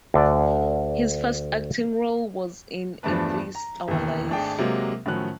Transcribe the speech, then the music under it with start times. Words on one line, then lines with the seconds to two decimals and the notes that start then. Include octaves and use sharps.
His first acting role was in "In This Our Life".
0.14 D2 D3 D5
3.03 E2 G2 F3 A3 D4 B4
3.55 A#5
3.88 E1 D#2
4.29 G#1 A3 D4 G#4 G5
4.58 C3 F#3 G#3 A#3
5.06 A2 D#3 F3 F#3 C#4 F#6